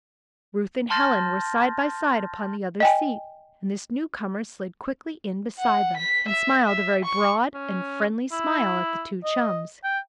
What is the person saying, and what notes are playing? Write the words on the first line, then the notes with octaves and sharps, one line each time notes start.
Ruth and Helen were side by side upon the other seat, and this newcomer slid quickly in beside them and smiled a very broad and friendly smile at the two chums.
A5 C6 F6 G6 A6 A#6
D#5 G5 G#5
F#5
B6
E5
E5
C#6
C#4
E4
D#5
G5